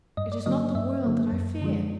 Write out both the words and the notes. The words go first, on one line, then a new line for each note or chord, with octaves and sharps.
It is not the world that I fear!
G2 D#5
D5
D3 F#3 A#3 D#5
G2 E5
D3 F#3 A#3
F#2
D3 F3 G#3